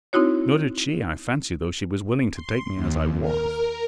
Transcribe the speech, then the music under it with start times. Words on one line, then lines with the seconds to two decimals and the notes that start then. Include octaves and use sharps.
Nor did she, I fancy, though she was willing to take me as I was.
0.13 C4 D#4 E4 F#4 C#5
2.35 C6
2.75 D#2
3.21 A#4